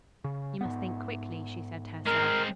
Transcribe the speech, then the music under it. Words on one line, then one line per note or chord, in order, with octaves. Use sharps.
"You must think quickly," she said to herself.
C#3
G#2 B3
G#3 C4 A#4